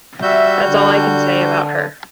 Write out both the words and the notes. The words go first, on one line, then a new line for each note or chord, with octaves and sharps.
That's all I can say about her.
G3 F#4 E5 G6
D3